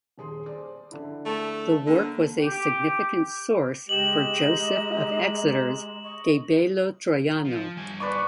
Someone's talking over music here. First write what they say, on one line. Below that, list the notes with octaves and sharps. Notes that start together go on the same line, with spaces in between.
The work was a significant source for Joseph of Exeter's "De bello Troiano".
D#1 G#4 C6
C5 D5
D3 E4
A3
D3 A#3
G4
C#3 G#3 G4 D#5 E7 F#7
G4 A#5
D#5 C#6
F3
G2 G#5
B4 D5 C#6